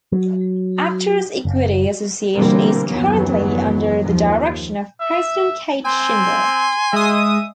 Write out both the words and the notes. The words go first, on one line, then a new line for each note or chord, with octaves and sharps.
Actor's Equity Association is currently under the direction of President Kate Shindle.
F#3
F#1
B2 D3 E3 G3 A#3 C4
F#1 D#2 E3 F#3 B3
D#2 F3
E5
C4 G#5 C6
G#3 E5 D#6